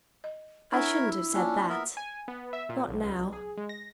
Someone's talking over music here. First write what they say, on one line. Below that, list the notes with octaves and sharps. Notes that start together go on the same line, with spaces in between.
"I shouldn't have said that;--not now."
D#5
D4 E4 A#4 C#5 E5 F#5 G#5
A#3 C#4 D4 F4
B3 A#4 E5
G#5
B3
E5
A#2
B1
C#2
B1
G#4
G#3
A#6